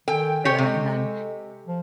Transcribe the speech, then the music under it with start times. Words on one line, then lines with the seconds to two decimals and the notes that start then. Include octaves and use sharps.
it, and then,
0.08 D#3 A4 G5 G#5
0.45 G4 C#5
0.58 C3 G#3
1.67 F3